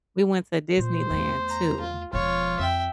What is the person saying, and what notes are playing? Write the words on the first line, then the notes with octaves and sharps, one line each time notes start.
we went to Disneyland too
A#2 C5
E2 A3
A#5
F4
E1 F3 F4 C#5
F2 E5 G5